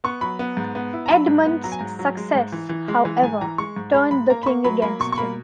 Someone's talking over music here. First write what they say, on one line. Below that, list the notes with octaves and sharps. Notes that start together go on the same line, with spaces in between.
Edmund's success, however, turned the king against him.
B3 C#6
F#3 B5
B3
G#2
B3
E4
A#5
F#3 B5
G#2
B3
F#3 A#5
G#5
G#2 A#5
F#3
G#3
G#2
E3
E3
G#3
E3
G#2 G#5
E3 A#5
G#3 C#6
G#2
G#3 B5
G#2 B5
A#3 A#5
B5
A#3 C#6
F#3 B5
A#3 B5
B2 C#6
C#6
A#3 B5